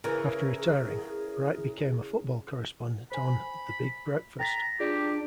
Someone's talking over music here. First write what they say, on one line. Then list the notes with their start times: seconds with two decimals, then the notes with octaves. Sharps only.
After retiring, Bright became a football correspondent on "The Big Breakfast".
0.04 C#3 E3 G#4 A#4
3.12 C5 G#5 B5
4.40 G5 A#5 A6 B6
4.80 D4 F4 G4 G#4 D5